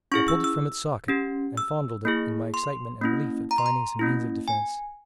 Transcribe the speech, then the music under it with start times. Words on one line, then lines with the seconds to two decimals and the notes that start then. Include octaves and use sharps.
I pulled it from its socket, and fondled it in my excitement and relief at finding some means of defence.
0.12 C#4 E4 G#4 C#6
0.28 E6
0.44 E6
1.08 C#4 G4
1.57 E6
2.05 A#3 E4 G#4
2.54 C6
3.02 A#3 C#4 E4
3.51 A#5
3.58 C6
3.66 A#5
3.99 A#3 C#4 E4
4.48 G#5